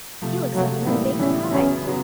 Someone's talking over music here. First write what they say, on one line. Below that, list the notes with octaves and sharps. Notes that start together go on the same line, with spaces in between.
"He looks like an unbaked pie!"
C3 F3 A3
C3 F3 F#3 A3
A2 E3 G3 A#3 B3 E4
A2 E3 G3 B3 C#4 E4
F#2 C#3 F#3 B3 C#4
C#3 F#3 B3